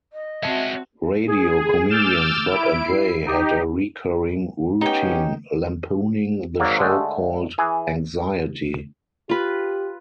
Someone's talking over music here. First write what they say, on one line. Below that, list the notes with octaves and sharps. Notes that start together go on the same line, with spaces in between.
Radio comedians Bob and Ray had a recurring routine lampooning the show called "Anxiety".
D#5
G#3 C4 C#4 F#4 E5 A5
G#4
D6 E6 F6 G6 A6 E7
E4 D7
C7
D#4 G4
B3 C#4 D#4 G4 G5
G#1 F#3 A#3 D5
D3 G#3 A3
E3 G#4
F4 G4 B4